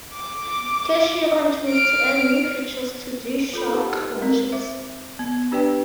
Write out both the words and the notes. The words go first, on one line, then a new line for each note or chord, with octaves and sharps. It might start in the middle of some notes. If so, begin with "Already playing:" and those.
Casio continues to add new features to G-Shock watches.
D6
F6 D7
F4 A4 B5
D#4 G4 C5 F#5 A5
G#3 C4 A#4
C5 E5 D6
B3
D4 G4 B4 D5 G5